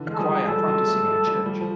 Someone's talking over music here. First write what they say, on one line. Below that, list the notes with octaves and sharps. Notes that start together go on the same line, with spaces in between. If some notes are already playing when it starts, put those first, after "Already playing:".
A choir practicing in a church.
Already playing: D3 E3
G#3
A4
F3 G3 G#4
F3 G3 A4
F#3 G#3
G3 A3
G3 A3
G3 A3
F3 G3
F3